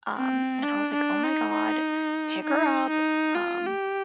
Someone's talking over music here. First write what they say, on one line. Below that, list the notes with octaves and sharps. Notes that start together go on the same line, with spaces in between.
um, and I was, like, "Oh my god, pick her up," um
C4
D4
D4
D#4
D#4
D#4
D#4
F4
G4